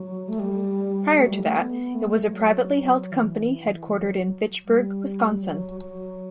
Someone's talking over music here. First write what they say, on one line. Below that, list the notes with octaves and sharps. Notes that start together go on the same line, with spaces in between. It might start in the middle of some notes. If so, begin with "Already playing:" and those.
Prior to that it was a privately held company headquartered in Fitchburg, Wisconsin.
Already playing: F#3
A3
G3
A3
F#3
G3
A3
B3
A3
F#3
E3
F#3
G3
F#3
F#3